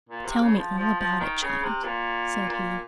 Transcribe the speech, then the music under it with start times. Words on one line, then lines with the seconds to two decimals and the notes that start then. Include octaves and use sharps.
'Tell me all about it, child,' said he.
0.09 A#2
0.25 C3
0.40 C#3
0.57 F3
0.78 F3
1.00 F3
1.20 D#3
1.42 C#3
1.63 C3
1.84 A#2
2.49 A#2